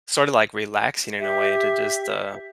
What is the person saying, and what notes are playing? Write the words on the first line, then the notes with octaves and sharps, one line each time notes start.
sorta, like relaxing in a way to just, uh
G4 E5